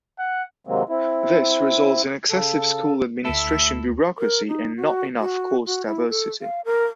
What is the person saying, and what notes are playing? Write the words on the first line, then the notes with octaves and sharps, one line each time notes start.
This results in excessive school administration bureaucracy and not enough course diversity.
F#5
C3 D#3 F#3 G#3 A#3 C4
C4 E4
C#3 A4
D2 A3 E4 A4 E5
A#4
D#4
F#4
F#4
F#4
E4
A4
F5
A#4